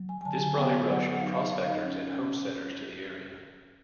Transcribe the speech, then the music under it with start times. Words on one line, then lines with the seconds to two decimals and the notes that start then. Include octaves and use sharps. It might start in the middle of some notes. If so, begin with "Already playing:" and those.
This brought a rush of prospectors and homesteaders to the area.
Already playing: F#3
0.09 G#5
0.21 G#5
0.25 D3 A5
0.42 G#5
0.57 B3 G5
0.88 F#3 F#5
1.12 F#5
1.20 D#4 F5
1.37 F5
1.52 D#4 F5
1.68 D#5
1.85 C#4